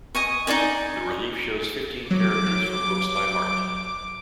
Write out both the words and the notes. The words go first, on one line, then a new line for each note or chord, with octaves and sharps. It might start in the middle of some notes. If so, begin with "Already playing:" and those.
The relief shows fifteen characters from books by Harte.
D#5 G#5 C#6
D#4 F4 D5 G#5
F#3 D6
F#3